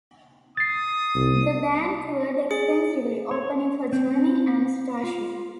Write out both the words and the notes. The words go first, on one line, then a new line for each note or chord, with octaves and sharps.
The band toured extensively, opening for Journey and Starship.
D#6 A6 C7
C2
G#4
C#5
C4
F4